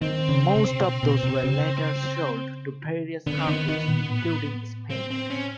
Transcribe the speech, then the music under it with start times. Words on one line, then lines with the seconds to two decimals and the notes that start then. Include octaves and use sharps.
Most of those were later sold to various countries, including Spain.
0.01 D#3 C4
0.29 C#3
0.56 C3
0.83 B2
1.03 B2
1.23 C3
1.44 C#3
3.27 D3 B3
3.37 C4
3.47 D#3 B3
3.68 D#3
3.88 A#2
4.08 A2
4.90 C4
5.11 C4
5.30 C#4